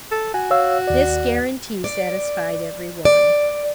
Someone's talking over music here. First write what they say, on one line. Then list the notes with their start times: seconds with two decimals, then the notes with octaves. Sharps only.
This guarantee satisfied every one.
0.12 A4
0.34 F#4 G#5
0.51 C#5 F5 E6
0.87 D#2 D5
1.84 D5
3.05 D5